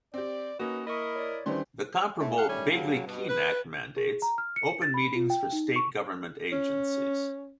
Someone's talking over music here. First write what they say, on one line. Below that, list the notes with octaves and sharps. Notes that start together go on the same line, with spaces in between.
The comparable Bagley-Keene Act mandates open meetings for State government agencies.
C4 G4 D5
A#3 C#4 D#4 F#4 B4
E4 A#4 D#5 B5 C#6
C#5 D5
D#3 E3 G3 C#4 D4 C5 C6
A2 A3
G4 A#4 F5 F#5
D#3 G3 A3 C#4
G2 C#3 F#3 A#3
G2 B2
B4
G#4
A#5
F6
C#7
A6
B5
F4
G5
D#4
C#6
C#4